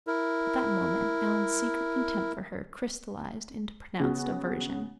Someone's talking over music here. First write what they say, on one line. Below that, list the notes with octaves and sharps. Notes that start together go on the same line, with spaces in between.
At that moment Alan's secret contempt for her crystallized into pronounced aversion.
E4 A#4
C#3 B3 F#4